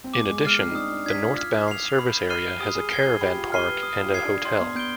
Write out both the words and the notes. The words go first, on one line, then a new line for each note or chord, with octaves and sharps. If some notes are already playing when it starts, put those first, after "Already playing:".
In addition, the northbound service area has a caravan park and a hotel.
C4
B3 D6
G#3
G#3 F6 C7
C4
D#4
D4 D#6
D4
D4 G#6 B6
F4
F6
C7 F7
B5
F6 C7 D#7 G7
G4 D#6
G#4
G#4 G#6 C7 G7
G#4
G4 B5
F4
G4 F6 C7 D#7 G7
B4
D#6
F4
G4
G#6 C7
D4
D4 C6
B3
B3 G6 D7 G7